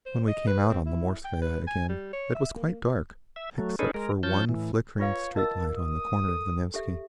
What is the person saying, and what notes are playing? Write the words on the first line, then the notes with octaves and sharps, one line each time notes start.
When we came out on the Morskaya again it was quite dark, except for one flickering street-light on the corner of the Nevsky.
C5
D#5
B4
C4
E4
G5
B4
G#5
G3
C#5
E5
A#3
E5
F#3 A3
C#4 D#4 G#4 A4 B4
G#3 A#4
F3 C#4 A5 G6
A2 E3
F4 B4 C#5 F5
A#4 D#5 A5 E6
D#6
A4
G4 A4 E5